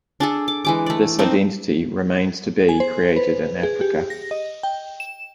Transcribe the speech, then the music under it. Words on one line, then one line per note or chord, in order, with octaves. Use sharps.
This identity remains to be created in Africa.
D4 G#4 A4
D6
E3 G#3 D6
A3 D5
A3 C4 D4 D#4
G#5
C5
B4
G#4
G4
A#6
D#5
G5
E7